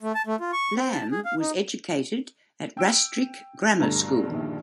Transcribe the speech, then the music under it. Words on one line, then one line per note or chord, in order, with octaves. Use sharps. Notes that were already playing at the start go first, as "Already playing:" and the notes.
Lamb was educated at Rastrick Grammar School.
A3
A5
A3
F4
C#6
C4
A5
G#4
F5
D#4
G5 E6 D7
G2 B2 D3 A3 A#5
A#1 D#3